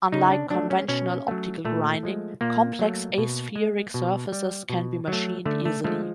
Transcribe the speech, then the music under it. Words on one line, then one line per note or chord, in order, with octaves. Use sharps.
Unlike conventional optical grinding, complex aspheric surfaces can be machined easily.
C#3 D#4
D4
F#3 A3 D4
C#4
B2 C#4
F#3 A3
A#2 A3
F3 G#3
A#2 A#3
F#3 A3
B2
G#3
B2
G3
B2
F#3 A3
D3 A3
A3
F3 G#3 A3